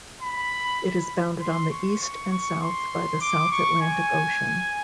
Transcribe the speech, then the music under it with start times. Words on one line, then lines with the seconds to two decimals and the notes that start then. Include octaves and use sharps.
It is bounded on the east and south by the South Atlantic Ocean.
0.21 B5
1.42 C6
1.71 C#6
2.02 C#6
2.32 C#6
2.62 C6
3.21 D6
3.51 C#6
3.82 G#5